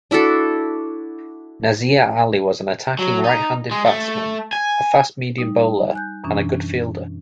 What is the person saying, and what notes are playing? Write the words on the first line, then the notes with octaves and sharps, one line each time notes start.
Nazir Ali was an attacking right-handed batsman, a fast-medium bowler and a good fielder.
D4 E4 F#4 A4
F#3
D#4
G#3
A3
G#5
G3 D#4
G#5 F#6 G6
F#2 B2 E3 C#4 D4